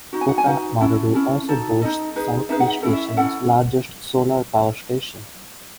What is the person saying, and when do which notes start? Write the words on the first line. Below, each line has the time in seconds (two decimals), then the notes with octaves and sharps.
Kota Marudu also boasts Southeast Asia's largest solar power station.
0.13 D#4 F#4
0.21 G#5
0.29 F#5
0.38 G#5
0.46 D#4 F#4 B4 F#5
0.81 C#4 E4 A4
1.14 C#4 E4 A4
1.49 D#4 F#4 A4
1.82 D#4 F#4 A4 D#5
2.16 D#4 G#4 B4
2.49 D#4 G#4 B4 E5
2.60 F#5
2.71 E5
2.83 C#4 E4 A4 F#5
2.93 E5
3.08 E5
3.17 C#4 E4 A4 F#5